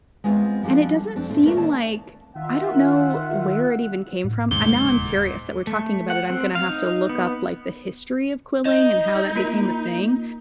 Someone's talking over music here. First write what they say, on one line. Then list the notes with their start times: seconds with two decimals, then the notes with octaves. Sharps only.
and it doesn't seem like I don't know where it even came from, and now I'm curious that we're talking about it, I'm gonna have to look up, like, the history of quilling, and how that became a thing.
0.24 G#3 B3 C4 F4
0.63 F3 G3 D4 F#4 A4
1.16 F2 C4 D4
1.29 A2 A3 C4
1.45 A3 A#3 D4 E4 A#4 B4
1.56 D#2 C#5 D5 A5
2.35 D#3 F4 E5 F#5
4.24 A2
4.51 E2 G#2 C#3 A#3 G7
4.90 D#1
5.67 A3
6.10 F#5
6.30 C4
6.55 F5
6.69 D#4
7.09 B3
8.65 D#4 D#5
9.36 A#3 F4 A#4